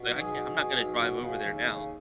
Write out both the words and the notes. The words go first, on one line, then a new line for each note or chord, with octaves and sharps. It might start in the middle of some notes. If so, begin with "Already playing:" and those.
but I can't I'm not gonna drive over there now.
Already playing: B2
B1
G#4
B2
B2 G#4
B1
B2
C#3
D#2
C#3